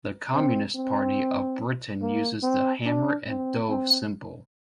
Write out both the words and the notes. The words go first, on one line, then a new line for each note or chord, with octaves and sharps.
The Communist Party of Britain uses the hammer and dove symbol.
C4
C4
A#3
C4
D4
C4
C4